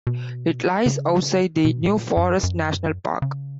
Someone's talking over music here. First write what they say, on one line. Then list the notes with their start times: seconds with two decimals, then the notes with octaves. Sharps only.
It lies outside the New Forest National Park.
0.07 B2
0.86 C#3
1.65 B2
1.81 G#2
1.90 A#2
2.17 F#2
2.43 F#2
3.22 C#3